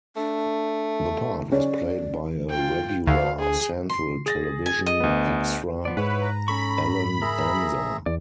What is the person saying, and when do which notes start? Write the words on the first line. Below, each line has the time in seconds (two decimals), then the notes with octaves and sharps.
The part was played by a regular Central Television extra Allan Anza.
0.16 A3 D4
1.52 C#4 D5
2.50 F4 G5
3.07 D2 F5
3.40 G#4
3.89 C6
4.26 G#4 A6 A#6
4.66 G#5
4.86 D#5
5.00 D2 B3
5.85 F3 B3 D5
5.97 G#2 E4 B4 C#5 F#5
6.21 A#5
6.48 C#4 A4 B5 C#6
7.22 G#4 A#4 E5 A#5
8.06 E2 D5